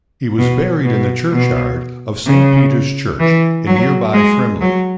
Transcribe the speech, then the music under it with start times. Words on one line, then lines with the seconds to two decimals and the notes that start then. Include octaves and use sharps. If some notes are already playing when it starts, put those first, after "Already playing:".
He was buried in the churchyard of Saint Peter's Church in nearby Frimley.
0.38 B2
0.85 B2
1.32 B2
2.26 C#3
3.20 E3
3.67 F#3
4.13 G#3
4.61 F#3